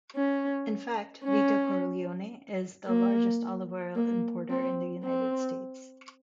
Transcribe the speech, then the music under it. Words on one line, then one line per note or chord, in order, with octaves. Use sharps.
In fact, Vito Corleone is the largest olive oil importer in the United States.
C#4
C#4
A#3
A#3
C4
C4